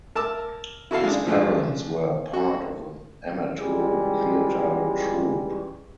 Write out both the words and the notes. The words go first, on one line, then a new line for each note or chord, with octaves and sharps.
His parents were part of an amateur theatre troupe.
A#4 A5 D6 E6
E4 F#4 A4 F5
G#3 D4
F3 G#3 A3 D4
F#4
C#2 E3 G3 G#3